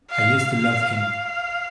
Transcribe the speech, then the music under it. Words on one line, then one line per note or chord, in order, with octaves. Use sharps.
I used to love him.
F5
F5
F5